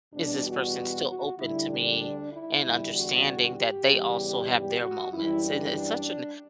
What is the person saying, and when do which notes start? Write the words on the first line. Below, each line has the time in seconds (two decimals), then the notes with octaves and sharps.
"Is this person still open to me," and understanding that they also have their moments? And it's such an
0.13 E2 B2 G3 D4
0.45 F#4
1.07 F#4
1.38 D2 D3 G3 E4
1.69 D4
2.32 E4
2.63 E2 D3 G3
2.94 F#4
3.56 G4
3.88 E2 C#3 G3
4.50 G4
4.81 F#4
5.12 F#2 E3 G3 E4
5.44 D4
5.74 D4